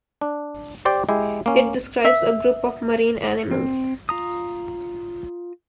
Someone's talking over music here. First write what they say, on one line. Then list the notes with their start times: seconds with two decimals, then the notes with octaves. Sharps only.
It describes a group of marine animals.
0.21 D4
0.85 G4 C5 D5 G5
1.09 G#3 E4 G4
1.46 A#3 C#4
2.05 E5
3.51 C4
4.09 F4 A#5 D#6